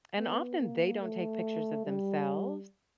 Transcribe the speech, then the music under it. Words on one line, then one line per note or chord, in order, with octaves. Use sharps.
And often they don't take pictures of themselves,
B3
A#3
A3
G3